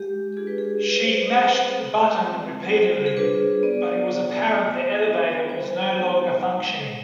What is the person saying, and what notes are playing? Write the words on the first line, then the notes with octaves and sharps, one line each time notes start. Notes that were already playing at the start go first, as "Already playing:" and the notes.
She mashed the button repeatedly, but it was apparent the elevator was no longer functioning.
Already playing: G#3 G4
D4 F4 G#4
B4
G#4
G3 B4
C5
B4
C4 F4
G#3
C4 F4
G3 C5
G#4
D4 F4 B4
B3 D5
F4
B3
D4 F4
G3 C5
B3 D#4
G#3